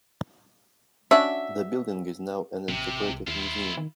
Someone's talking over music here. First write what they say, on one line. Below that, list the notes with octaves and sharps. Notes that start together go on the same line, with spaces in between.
The building is now an interpretive museum.
C#4 D4 F#4 E5
A1 C3
C2
D#2 E4 F4
D#3